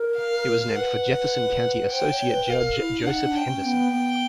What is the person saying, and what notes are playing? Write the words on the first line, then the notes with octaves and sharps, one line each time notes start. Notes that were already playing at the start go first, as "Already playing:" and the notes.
It was named for Jefferson County Associate Judge Joseph Henderson.
Already playing: A#4
F5
B4 F#5
C5 G5
C#5
B4
B4
A#4 F5
E4
D4
D#4 F#5
D4
G5
C#4
B3
B3